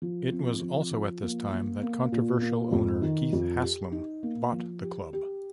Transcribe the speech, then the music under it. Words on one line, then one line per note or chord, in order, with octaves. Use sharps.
It was also at this time that controversial owner Keith Haslam bought the club.
F3
C4
F3
F3
A#3
A#3
A#3
A#2
A#3
F2
D#3
F2
G4
D#4
A#3
F3
G4
G4